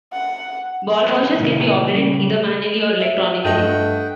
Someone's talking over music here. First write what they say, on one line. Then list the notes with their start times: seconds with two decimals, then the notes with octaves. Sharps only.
Ball washers can be operated either manually or electronically.
0.12 F#5
1.31 A#2 C#3 E3 A#3 B3
1.87 C#3 G3
3.00 E5
3.44 G2 A3 D#5 F#5 G5